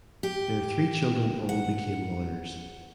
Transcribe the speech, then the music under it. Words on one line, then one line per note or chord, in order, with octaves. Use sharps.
Their three children all became lawyers.
G4
F#5